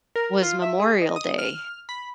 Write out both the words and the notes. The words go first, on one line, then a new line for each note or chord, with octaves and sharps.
was Memorial Day
A#4
F4
E5
G#4
D#5
D#6
F6
B5